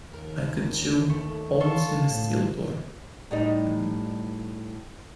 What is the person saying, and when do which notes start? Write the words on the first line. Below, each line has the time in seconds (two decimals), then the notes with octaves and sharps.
I could chew holes in a steel door.
0.13 D#2 A#4
1.10 A3
1.60 F4 A4 C#6
2.06 A2
3.31 A2 G3 D#4